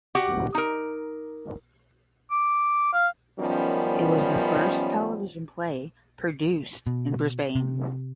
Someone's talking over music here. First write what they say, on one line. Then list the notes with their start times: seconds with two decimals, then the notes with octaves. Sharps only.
It was the first television play produced in Brisbane.
0.15 F#4 G4 F#5
0.55 D#4 A#4
2.31 D6
2.93 F5
3.39 F#2 D#3 F3 G3 B3 C#4
6.87 B2
7.55 C3